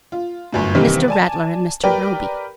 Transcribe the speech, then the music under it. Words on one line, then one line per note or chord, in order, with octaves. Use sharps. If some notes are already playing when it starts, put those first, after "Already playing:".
"Mr. Rattler and Mr. Roby."
F4
G1 F#2 A2
C3 D#3 E3 G3 A#3 C4
D5 G#5 A5
G4 A#4 B4 D5 G5